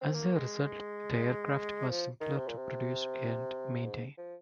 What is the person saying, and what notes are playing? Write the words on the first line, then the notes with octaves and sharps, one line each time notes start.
As a result, the aircraft was simpler to produce and maintain.
C4
A#3
G#3
F3
D#3
C3
A#2
C3
G#2
F3